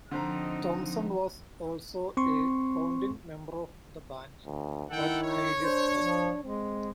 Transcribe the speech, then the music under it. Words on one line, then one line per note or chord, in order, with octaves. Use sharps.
Thompson was also a founding member of the band That Hideous Strength.
D3 F3 C4 D#4 C5 A#5
C4 C6 C#6
D2
D#3 E4 A4 F#5 G5
C#5
D4 C5
F3
G#3 C4